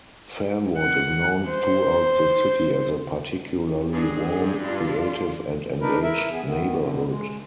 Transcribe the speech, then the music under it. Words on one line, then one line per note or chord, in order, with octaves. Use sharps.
Fernwood is known throughout the city as a particularly warm, creative, and engaged neighbourhood.
F#5
C5
G2 G#4
D4 F4
D4 D#4 A#4 B4
E4 A#4 E5
B3 G#4
D#3 B3
B2 D3
G#3